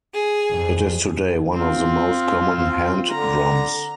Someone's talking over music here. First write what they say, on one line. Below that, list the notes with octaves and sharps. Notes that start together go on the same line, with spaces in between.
It is today one of the most common hand drums.
G#4
F2
C4 F4
D3 A#5